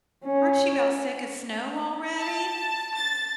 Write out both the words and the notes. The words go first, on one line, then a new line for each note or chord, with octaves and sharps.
aren't you 'bout sick of snow already?
C#4
A5
A6